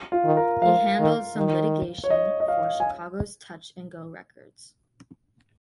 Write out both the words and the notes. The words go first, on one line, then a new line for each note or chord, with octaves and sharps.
He handled some litigation for Chicago's Touch and Go Records.
F4
D#3
A#4
F3 F5
D#3
D#3
C#5
D#5
D#5
F5
G#5